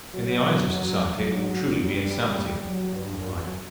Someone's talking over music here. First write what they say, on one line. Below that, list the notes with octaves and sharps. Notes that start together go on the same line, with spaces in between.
"In the eyes of society it will truly be insanity," he replied.
F#3
F#3
G3
F#3
G3
F#3
G2
F#2
E2
F#2